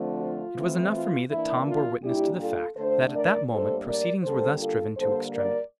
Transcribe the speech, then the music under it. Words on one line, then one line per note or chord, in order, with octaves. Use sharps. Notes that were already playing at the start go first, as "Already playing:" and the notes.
It was enough for me that Tom bore witness to the fact that at that moment proceedings were thus driven to extremity.
Already playing: D3 F3 A3 C4
F4
E3 A3 C4
F4
E3 A#3 D4 E4
F4
A#2 G3 D4 E4 G4
F4 A4
D3 A3 D4 A4 C5
A#4 D5
A2 G3 A#3 D4 A4 C5
A#4 D5
D3 G3 A#3 A4 C5
F4 A4
D3 G3 A#3 A4 C5
A#4 D5